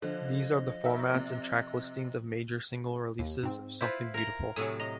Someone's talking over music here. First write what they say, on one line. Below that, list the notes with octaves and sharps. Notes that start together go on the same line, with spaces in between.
These are the formats and track listings of major single releases of "Something Beautiful".
D3 F3 D#5
D#4 A#4 E5
C3
D#2
G#2 C4
E4 F4 B4 C5
A#4 A#5
A2 C3 F#3 G#5 D#6 E6
D#5 A#5